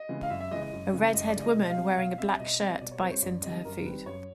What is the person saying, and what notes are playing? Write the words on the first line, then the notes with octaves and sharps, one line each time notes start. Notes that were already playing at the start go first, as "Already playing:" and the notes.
A redhead woman wearing a black shirt bites into her food.
Already playing: D#5
C#3 E3 G#3
F5
F#2 E5
E5
C#3 E3 G#3 D#5
D#5
F#2
C#3 E3 G#3
F#2 D#5
D5
C#3 E3 G#3
D#5
B2 D#5
F5
G3 C4
B2 F5
G3 C4 E5
B2 D#5
G3 C4 D#5
B2 D5
C#5
G3 C4 C5
C#5
F#2 D5
D#3 G3 C4 D#5
F#2 A#4
D#3 G3 C4 B4
F#2 C#5